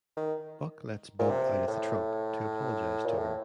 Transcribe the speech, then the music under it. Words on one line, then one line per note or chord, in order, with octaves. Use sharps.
Buck lets Bug out of the trunk to apologize to her.
D#3
A#2
C3
A2
A#2
A2